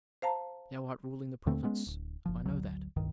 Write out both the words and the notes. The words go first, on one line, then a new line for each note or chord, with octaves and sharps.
Thou art ruling the province--I know that.
C5 F5 A5 A#5
D#2 D3 A3 C4
G#3 B3 C#4
D1
F#1 F3
G#1 D2 F#3
D1 C2 G2 D#3